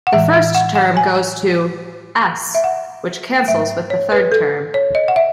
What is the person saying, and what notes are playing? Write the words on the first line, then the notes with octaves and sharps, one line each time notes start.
The first term goes to "s", which cancels with the third term.
F#5
A2 E3 G#3 E5
E5
F#5
F#5
G#5
E5
F#5
G#2 F#3 A3 E5
C#5
B4
A4
C#5
D#5
F#5
E5